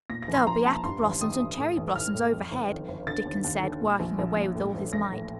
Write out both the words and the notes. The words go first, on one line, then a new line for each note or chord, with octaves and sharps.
"There'll be apple blossoms an' cherry blossoms overhead," Dickon said, working away with all his might.
A#2 A#6
A#6
A#1
C6
A#1 A#5
A#2 A5
G2 C6
A1
D#3 D#6
A1
A2
A1
A1 F6
A2
F2
G1
D#3
G1
D3 A6
D#2
D#2
D3
A#2
A#1
A#1
A#2
A2
A1
A1 A#6
A2